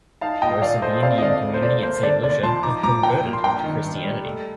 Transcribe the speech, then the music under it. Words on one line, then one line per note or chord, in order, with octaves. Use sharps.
Most of the Indian community in Saint Lucia have converted to Christianity.
D#4 F5 A5
A#2 D#5 G5
A#1 D5 F5
A3 C5 D#5
C4 D5 F5
D#5
D3 D5 F5
D2
C5
A3 D5
A#3 C5
D3 D5
D#2 D5
F3 A5 C6
D#4 A#5 D6
F3 A#5 D6
A#2 G5 A#5
A#3
C6
G2 G5 A#5
D#3
G2
G3
A3